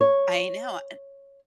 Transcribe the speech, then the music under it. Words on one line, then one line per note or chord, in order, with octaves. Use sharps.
I know an
C#5